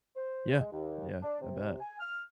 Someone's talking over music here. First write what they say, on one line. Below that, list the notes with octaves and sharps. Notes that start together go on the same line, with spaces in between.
Yeah. Yeah. I bet.
C5
G#3
D#2
D4
C3
G#5
F6